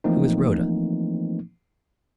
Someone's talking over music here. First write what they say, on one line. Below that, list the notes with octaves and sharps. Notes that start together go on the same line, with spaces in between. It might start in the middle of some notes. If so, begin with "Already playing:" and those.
"Who is Rhoda?"
E3 F3 A3 A#3 C4 D#4